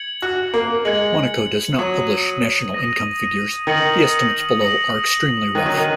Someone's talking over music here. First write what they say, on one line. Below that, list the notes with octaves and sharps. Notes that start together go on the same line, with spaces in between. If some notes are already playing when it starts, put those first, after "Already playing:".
Monaco does not publish national income figures; the estimates below are extremely rough.
Already playing: G#6 C#7 F#7
F#4
A#3
G#3 G#6 C#7 F#7
F#3 D#6 A#6 D#7
D#6 A#6 D#7
D#3 D#6 A#6 C#7 F#7
D#6 A#6 C#7 F#7
D#3 D#6 F#6 D#7
F#3
D#3